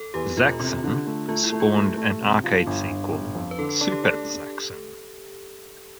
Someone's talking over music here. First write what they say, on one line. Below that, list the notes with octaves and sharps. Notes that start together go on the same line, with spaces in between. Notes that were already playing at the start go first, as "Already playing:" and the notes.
"Zaxxon" spawned an arcade sequel: "Super Zaxxon".
Already playing: A4
E2 G4
E1 F4
C3 F4
D3
A3
A3 F4
E4
A3
F4
A3 G4
A3
C3
F3
G1
G1
G1
F2
B4
D3 A4
A4
D4 A4
G4
D4 A4